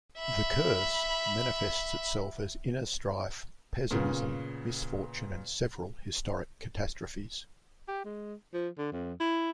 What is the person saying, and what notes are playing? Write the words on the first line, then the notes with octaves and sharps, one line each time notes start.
The "curse" manifests itself as inner strife, pessimism, misfortune and several historic catastrophes.
E5 B5
A#2 C#3 B3
G4
G#3
F3
D3
F2
E4